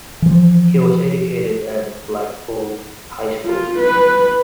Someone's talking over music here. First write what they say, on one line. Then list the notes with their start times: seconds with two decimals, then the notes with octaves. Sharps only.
He was educated at Blackpool High School.
0.22 E3 F3
3.45 F4
3.79 B4